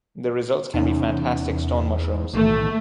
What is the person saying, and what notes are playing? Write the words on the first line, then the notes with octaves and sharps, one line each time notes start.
The results can be fantastic stone mushrooms.
E2 C3 C#4 D#4
B1 A2 D#3 E3 A3